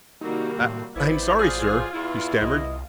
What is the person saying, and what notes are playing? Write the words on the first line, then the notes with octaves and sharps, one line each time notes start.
"I--I'm sorry, sir," he stammered.
C3 D#3 G3 A#3 C4 D#4 F#4
A2
A1 B3 E4 C5 D5 B5
F3 F#3 F4 G#4
E2 E4
C2 D#5